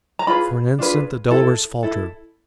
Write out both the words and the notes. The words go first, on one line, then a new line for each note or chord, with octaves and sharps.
For an instant the Delawares faltered.
A#5
D4 F4 G#4 B4 B5
D4 F4 G#4 B4
E4 A4
E4 A4